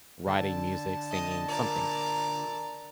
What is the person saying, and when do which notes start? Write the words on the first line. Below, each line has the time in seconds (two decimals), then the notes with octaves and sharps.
writing music, singing, something,
0.27 D3 A5
1.11 D#5
1.48 A#2 D5 A#5